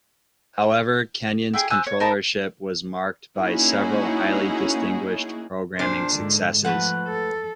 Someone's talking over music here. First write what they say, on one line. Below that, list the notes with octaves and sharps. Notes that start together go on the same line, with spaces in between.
However, Kenyon's controllership was marked by several highly distinguished programming successes.
E4 G4 G#4
C5 G#5 E6 F#6
C#5
D#4 A#4 A5 B5
A#3 C#4 D#4 E4 F#4 G#4
A#2 D4 C5
G#2 D3
F3 A3 B4 F#5
A4